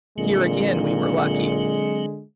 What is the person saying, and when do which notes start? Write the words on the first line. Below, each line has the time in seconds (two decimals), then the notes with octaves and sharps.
Here, again, we were lucky.
0.18 A#2 D3 F#3 G#3 C4